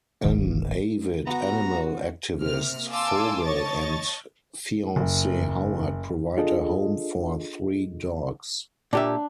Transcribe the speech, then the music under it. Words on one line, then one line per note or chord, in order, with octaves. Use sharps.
An avid animal activist, Vogel and fiancee Howard provide a home for three dogs.
D1 G1 G#2 D#3
B3 F#4 A#5
C3 A#3 F6
F5 G#5 A5 C6 D6 E6
C#5 D#5 A5 C#6 A6
F#1
D4 F4 G#4 A4 D#5
A#2 D4 G4 E5